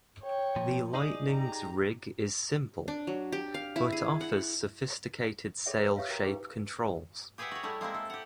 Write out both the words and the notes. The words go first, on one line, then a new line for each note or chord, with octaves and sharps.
The Lightning's rig is simple, but offers sophisticated sail shape controls.
C#5 G5
A#2 F3
D#4 G#4 D5 D#6
G4 A#5
D4
F#3
G4
F5
E4
G#4
F#5
G#4 A4 C#5 D5 E5 G5
B4
G4 C#5 E5 F5
F#4 A#4 G5 A#5
D#4 G4 G#4 B4 G5 D6
G4 G#4 B4 D5 E5 F#5
F#4 C#5
G3 A3 E4
G#3 A#3 C4 E4
A4
G4 F#5